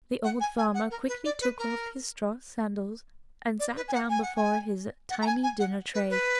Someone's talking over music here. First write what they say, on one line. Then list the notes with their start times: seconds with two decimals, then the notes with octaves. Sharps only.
The old farmer quickly took off his straw sandals and sat down before his tiny dinner-tray.
0.24 F#5
0.40 G#5
0.58 G#5
0.74 F#5
0.91 A#4
1.08 B4
1.25 D5
1.41 B4
1.58 A#4
3.59 D5
3.76 B4
3.88 G#5
3.93 F#5
4.10 G#5
4.22 F#5
4.36 G#5
5.10 F#5
5.22 A#5
5.26 G#5
5.43 G#5
5.59 F#5
5.94 B4
6.10 B4